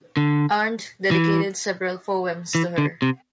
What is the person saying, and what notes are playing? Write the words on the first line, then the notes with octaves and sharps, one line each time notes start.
Arndt dedicated several poems to her.
D3
E3
E3
D3
C3